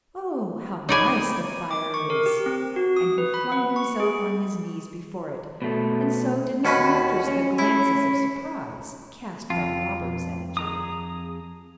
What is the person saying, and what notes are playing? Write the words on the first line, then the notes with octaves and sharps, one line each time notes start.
Oh, how nice the fire is!' And he flung himself on his knees before it, and so did not notice the glances of surprise cast by the robbers at each other.
D#4 C#5 D5 G#5 B5 D6
D6
C#6
A#4
G4
C4
F#4
D#6
B4
B5
F#5
C#6
G#4
B2 A3
D#2 C#4 F#4 B4
C#4
E4
F2 F4
G#4 A#5 D#6